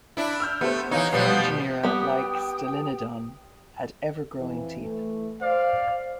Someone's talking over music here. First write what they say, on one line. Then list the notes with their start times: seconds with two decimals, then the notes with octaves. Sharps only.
Some genera, like "Stylinodon", had ever-growing teeth.
0.17 D4 E4
0.40 E6 F6 G6
0.61 A3 B3 G4 C5
0.91 E3 D#4 C#5 F5
1.13 F1 B2 F3 G3 B3 C7
1.83 G3 B3 G5 D#6
4.39 F2 E3
4.80 E3 A3
5.42 C5 D5 F5